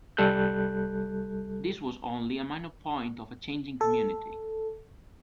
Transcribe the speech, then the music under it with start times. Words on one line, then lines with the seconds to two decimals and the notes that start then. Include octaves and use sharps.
This was only a minor point of a changing community.
0.17 C2 G3 A4 F#6 G6
3.81 A4